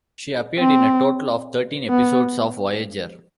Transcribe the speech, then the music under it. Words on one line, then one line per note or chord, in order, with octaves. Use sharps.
She appeared in a total of thirteen episodes of "Voyager".
C4
B3